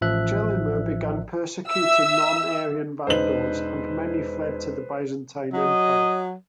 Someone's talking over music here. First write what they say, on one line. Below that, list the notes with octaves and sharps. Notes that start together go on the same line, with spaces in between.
Gelimer began persecuting non Arian Vandals, and many fled to the Byzantine Empire.
A1 F3 E5 F#6
E5 E6
E1 D#4 B4 C5 F#7
F#3 D#5